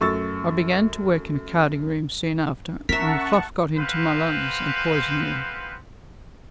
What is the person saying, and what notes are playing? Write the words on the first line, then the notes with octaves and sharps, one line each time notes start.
I began to work in a carding-room soon after, and the fluff got into my lungs and poisoned me.'
F#2 A3 C#6 E6 A6
C#4 A#4 E5 F#5 A5 C#6 B6
G#3 B3 C4 B4 C5 F5